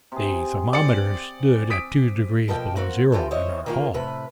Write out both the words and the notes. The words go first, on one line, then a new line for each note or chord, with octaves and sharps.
The thermometer stood at two degrees below zero in our hall.
C3 G#4
D5 C#7
D#6 B6 D7
B2 F3 A#3 A4 D5 G5
A#3 C4 F#4
E3 F4 G4 A4
E4 C5 C#5 D#5
D#3 A#3 F4
A2 C3 B4